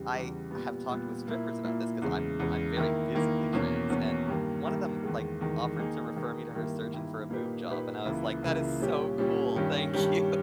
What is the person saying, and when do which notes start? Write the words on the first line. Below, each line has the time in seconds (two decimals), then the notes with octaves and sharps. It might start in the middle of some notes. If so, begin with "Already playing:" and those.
I have talked with strippers about this 'cause I'm I'm very visibly trans, and one of them, like, offered to refer me to her surgeon for a boob job, and I was, like, "That is so cool. Thank you!"
Already playing: E2 C#3 G3
0.13 E2 C#3 G3
0.51 A#2 G3 B3
0.89 A#2 G3 B3
1.27 A#2 A#3 E4
1.64 A#2 A#3 E4
2.02 E2 C#3 G#3
2.40 E2 C#3 G#3
2.77 D#3 A#3 E4 A#4
3.15 D#3 A#3 E4 A#4
3.53 E2 B2 A#3 C#4
3.90 E2 B2 A#3 C#4
4.28 G2 D#3 A#3
4.66 G2 D#3 A#3
5.03 E2 D#3 G#3
5.41 E2 D#3 G#3
5.79 D#3 A#3 D#4 G#4
6.16 D#3 A#3 D#4 G#4
6.54 G2 D#3 A#3 E4
6.92 G2 D#3 A#3 E4
7.30 A#2 A#3 D#4 G4 B4
7.68 A#2 A#3 D#4 G4 B4
8.05 C#2 C#3 E3 A#3 E4
8.43 C#2 C#3 E3 A#3 E4
8.80 A#2 G3 C#4 G4
9.18 A#2 G3 C#4 G4
9.56 G2 D#3 G3 C#4 G4
9.93 G2 D#3 G3 C#4 G4